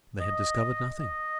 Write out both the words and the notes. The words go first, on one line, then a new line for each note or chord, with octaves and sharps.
They had discovered nothing.
D#5
D#5